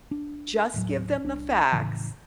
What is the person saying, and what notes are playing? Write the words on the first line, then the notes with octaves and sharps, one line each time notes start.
just give them the facts,
D4
D#1 A2 F#3
C2 D4
F1 A2 C#3 E3